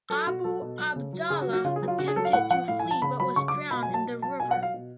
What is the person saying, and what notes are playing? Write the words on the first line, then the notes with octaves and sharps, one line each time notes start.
Abu Abdallah attempted to flee but was drowned in the river.
F#3 A4
B2 F#4
F#3 A4
B2
F#3
C#3
F#3
C#3 G#4
F#4
F#3
F#4
C#3 F4
G#4
F#3
F4
C#3 F#4
G#4
F#3 A4
F5
A2 F#5
F3 F#5
A2 F5
G#5
F3
A5
C#3 B5
F#3 B5
C#3 C#6
D6
F#3
B2 B5
G#5
F#3
A5
B2
F#3 A5
B2 G#5
F#5
F#3
F5
B2